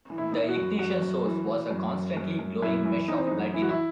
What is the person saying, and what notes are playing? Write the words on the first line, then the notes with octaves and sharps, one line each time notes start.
The ignition source was a constantly glowing mesh of platinum.
E3
E4
E3 D#4
E4
F#4
F#2
F#2 F#4
F#2
E3
E3
F#2
F#2
F#2
F#2
F#2 E4
E3
E3 D#4
C4
F#2 D#4
E3 E4
F#4
E4